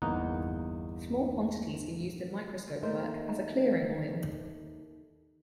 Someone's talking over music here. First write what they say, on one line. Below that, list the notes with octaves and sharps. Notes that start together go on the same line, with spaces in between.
Small quantities are used in microscope work as a clearing oil.
G1 E2 A#3 D#4 F#5
D#2 A3 D#4 A#4 C5